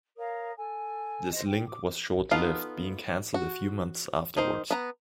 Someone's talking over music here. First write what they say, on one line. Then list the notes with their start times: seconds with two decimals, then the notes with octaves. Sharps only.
This link was short-lived, being cancelled a few months afterwards.
0.17 A#4 C#5 F5 D#6
0.58 A4 G#5
1.33 C5 D#5
1.46 G5
1.65 D6 D#6
2.31 B3 D#4 F4 A4 F5
3.34 F#4
4.37 D#3 D#4 C5
4.71 B3 A#5